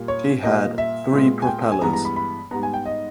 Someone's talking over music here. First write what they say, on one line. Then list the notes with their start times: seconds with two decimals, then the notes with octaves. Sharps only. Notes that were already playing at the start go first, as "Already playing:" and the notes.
She had three propellers.
Already playing: A#2 G3 A#3
0.08 C#5
0.43 A#2 G3 A#3 D#5
0.78 E5
1.12 A#2 G#3 B3
1.42 G#5
1.47 G5
1.72 G#5
1.82 G2 E3 G#3 B3 A#5
1.93 A#5
2.05 B5
2.16 B5
2.51 G#2 G3 B3 A#5
2.63 G#5
2.74 G5
2.86 D#5